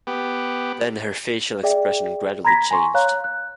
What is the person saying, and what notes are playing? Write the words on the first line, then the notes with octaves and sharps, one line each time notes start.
Then her facial expression gradually changed.
B3 G4
G#4 D5 E5 G5
A#5 B5 G#6 A#6 B6
G#5 A#5 C6 C#6
C#5 F5 A#5 F#6
F#6